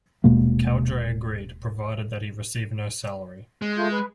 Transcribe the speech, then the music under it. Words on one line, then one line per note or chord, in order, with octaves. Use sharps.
Cowdray agreed, provided that he receive no salary.
D#1 B2 G#3 A#3
G#3
A3 F4 G6
B4